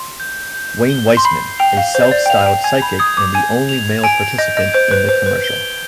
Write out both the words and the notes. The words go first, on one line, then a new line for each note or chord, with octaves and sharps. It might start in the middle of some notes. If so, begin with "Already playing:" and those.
Wayne Weiseman, a self-styled psychic and the only male participant in the commercial.
Already playing: C6
G6
G6
G7
C6
B5 C7
G5 F7
F5
C5 G6
D5
G5
F5 F7
G5
G#5 G#6
B5
D#6 G#6
D6
G#5 G#6
F7
G#5 D7
D#5 G6
D#5
C5 G6
B4
C5 G6
B4
G7